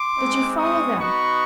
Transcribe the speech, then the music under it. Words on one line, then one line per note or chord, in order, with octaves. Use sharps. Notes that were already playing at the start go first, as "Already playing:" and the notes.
"Did you follow them?"
Already playing: C6 D6
G#3 C4 D#4
C#6 D#6
B3 D#4 F#4 B5 C#6